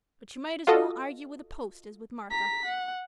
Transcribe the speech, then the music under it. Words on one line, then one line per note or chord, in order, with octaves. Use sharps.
But you might as well argue with a post as with Martha.
F4 F#4 A4 D#5
A#5 B6
F#5